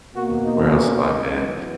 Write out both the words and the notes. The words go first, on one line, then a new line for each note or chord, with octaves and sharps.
like, where else have I been?
B2 A#3 F#4
D#4
C#4
D#4
F#2 E3 B3 D#4